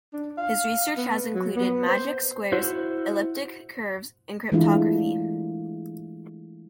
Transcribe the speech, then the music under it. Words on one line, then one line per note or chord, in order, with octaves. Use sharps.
His research has included magic squares, elliptic curves, and cryptography.
D4
F5
B3
F#3
B3
C5
E4 F#4 C5
E3 G#3 A3 D4 E4 F4